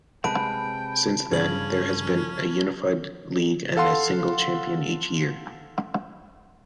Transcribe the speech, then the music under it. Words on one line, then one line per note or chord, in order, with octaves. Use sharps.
Since then, there has been a unified league and a single champion each year.
C3 G#3 B4 G5 A5 B5 D7
G2 C#3 C#4 G#6 F#7
A4 F5 F#5 C6